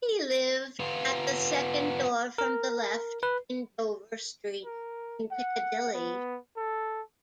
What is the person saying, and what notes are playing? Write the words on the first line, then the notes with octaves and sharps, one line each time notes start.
He lived at "the second door from the left in Dover Street" in Piccadilly.
B3 F4
A#4
B4
A#4
F#5
B3
A4